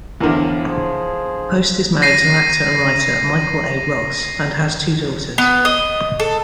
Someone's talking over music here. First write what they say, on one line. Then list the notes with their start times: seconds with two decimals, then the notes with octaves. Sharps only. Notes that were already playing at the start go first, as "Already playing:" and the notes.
Post is married to actor and writer Michael A. Ross, and has two daughters.
0.20 E2 A2 D3 E3 F3 A#4
0.67 F3 G#4 C5
2.02 A#6 C7 D#7
5.38 B3
5.65 D#5
6.20 A4